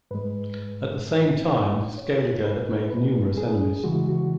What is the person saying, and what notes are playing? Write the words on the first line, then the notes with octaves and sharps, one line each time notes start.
At the same time, Scaliger had made numerous enemies.
G#2 G#3 B4
C#5
B4
B4
G#4
E2 C#3 E3 G#3 F#4
F#4